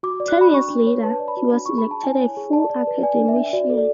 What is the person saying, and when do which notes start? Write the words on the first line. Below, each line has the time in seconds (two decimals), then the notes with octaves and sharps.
Ten years later, he was elected a full academician.
0.03 F#4 D6
0.20 D5
0.28 F#6
0.36 F#4 B5
0.53 D4 C#6
0.70 D4
0.87 C#5
1.03 B4 A5
1.20 D5
1.28 B5
1.37 F#4
1.53 D4 B5
1.66 G#4 C#6
1.78 B5
1.87 D4 A5
2.03 E4 G#5
2.20 C#5
2.37 G#4
2.53 D5 A5
2.70 D5
2.87 B4
3.03 D5 G#5
3.20 D4
3.28 E5
3.36 D4
3.53 F#4 D5
3.70 A4
3.78 D5